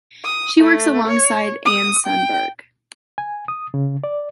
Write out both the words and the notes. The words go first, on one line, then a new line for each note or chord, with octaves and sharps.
She works alongside Anne Sundberg.
D#6
A3
C#5
D#6
G5
G#5
D#6
C#3
D5